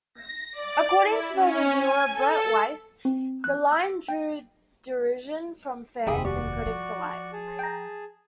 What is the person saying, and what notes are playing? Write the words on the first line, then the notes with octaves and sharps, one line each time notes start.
According to reviewer Brett Weiss, the line "drew derision from fans and critics alike".
A#6
D5
E4
C#4
G#5
A4
C4
F#6
E6
G5
F1 D#2 D#4 G4 G#4 E5 B5 D#6
G3 F#4 D5 C#6
F3
G#4 A5
G5 A#5